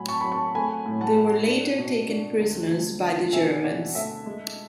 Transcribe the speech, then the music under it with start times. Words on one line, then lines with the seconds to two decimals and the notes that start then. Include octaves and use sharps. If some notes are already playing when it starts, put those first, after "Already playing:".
They were later taken prisoners by the Germans.
Already playing: A2 F#3 G#5 B5
0.09 A5 C#6
0.21 F#3 B5
0.32 A5 C#6
0.55 A3 G#5 B5
0.86 A2
1.01 F#5 A5
1.16 A3
1.47 D4
1.79 B2
2.09 D4
2.40 D2
2.71 D2
3.02 D3
3.33 B2 E5 G#5
3.64 B2 D5 F#5
3.95 A3 E5
4.26 G#3